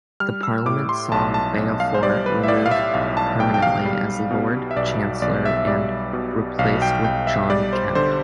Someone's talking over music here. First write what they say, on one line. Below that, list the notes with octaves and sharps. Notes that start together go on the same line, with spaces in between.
The Parliament saw Beaufort removed permanently as Lord Chancellor and replaced with John Kemp.
G3 F6
E6
A2 D6
C6
B1 A5
A5
B1
F5
C5
G3 D5
B4
E5
A2 D5
F5
E5
B1 F5
A5
B1 G5
G5
F5
G3
B2
E5
B1 D5
B1 D5
E5
E5
G3 D5
B2
B1 F5
G5
B1 G5
E5
G3 D5
C5
D3 C5